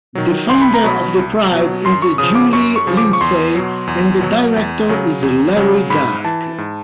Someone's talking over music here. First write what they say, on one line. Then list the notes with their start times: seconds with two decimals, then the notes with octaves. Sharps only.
The founder of the prize is Julie Lindsey, and the director is Larry Dark.
0.15 D#3 F#3
0.50 C2 C6
0.62 B5
0.74 A#5
0.84 B2 F#3 B5
1.17 C2
1.52 B2 F#3
1.85 F#2 C6
2.02 C#6
2.18 C#3 F3 D#6
2.35 D6
2.53 F#2 C#6
2.76 C#6
2.87 C#3 F3
2.97 D6
3.13 C#6
3.21 E2 C6
3.55 B2 F#3
3.87 E2
4.21 B2 F#3
4.56 E2
4.89 C#3 F#3
5.23 E2
5.56 C#3 F#3
5.90 G#2 B5
6.25 E3 A5
6.58 G#2